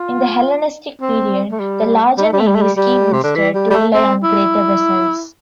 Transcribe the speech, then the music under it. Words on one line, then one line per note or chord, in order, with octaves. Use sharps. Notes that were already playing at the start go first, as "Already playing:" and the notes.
In the Hellenistic period, the larger navies came instead to rely on greater vessels.
Already playing: F4
C4
A3
G3
G3
A3
G3
A3
G3
A3
G3
G3
C3
D3
E3
G3
G3
A3
C4
E4